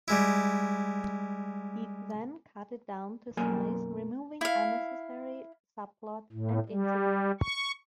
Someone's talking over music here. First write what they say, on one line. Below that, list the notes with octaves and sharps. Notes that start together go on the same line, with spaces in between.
He'd then cut it down to size, removing unnecessary subplots and incidents.
G3 G#3 E4
B1 F#2 A#3 A4 A#4 G#5
E4 F5
A2
G3
C#6